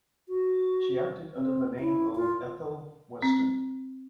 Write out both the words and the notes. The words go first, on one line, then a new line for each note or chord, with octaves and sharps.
She acted under the name of Ethel Western.
F#4
C4
E4
F4
C4